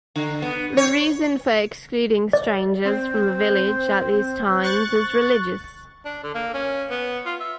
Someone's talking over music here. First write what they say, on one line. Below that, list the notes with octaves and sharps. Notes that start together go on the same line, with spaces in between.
The reason for excluding strangers from the village at these times is religious.
D3
B3
C#5
D5
C4 C5
C#6 F#6 A6
D4
D3
A#3
C#4
B3
F4
E5